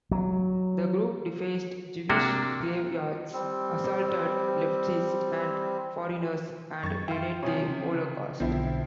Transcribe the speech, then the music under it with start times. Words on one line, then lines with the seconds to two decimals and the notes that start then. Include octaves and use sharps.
The group defaced Jewish graveyards, assaulted leftists and foreigners, and denied the Holocaust.
0.11 F#3
2.09 C3 A#3 D4 F#4
3.33 G3 C4
6.83 F#2 C#6 G#6 A6
7.08 E5 F5 G5 C6
7.43 C3 F3 C#5 G#5 D#6
7.68 C#3
8.40 B1 B2 D3 F3 C4 E4